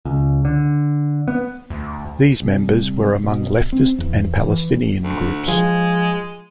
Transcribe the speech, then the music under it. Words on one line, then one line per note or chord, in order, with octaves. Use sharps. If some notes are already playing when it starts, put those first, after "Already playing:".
These members were among leftist and Palestinian groups.
C#2
D3
B3
D2
C2
B2
C4
E2
E3
D2
F3 G#3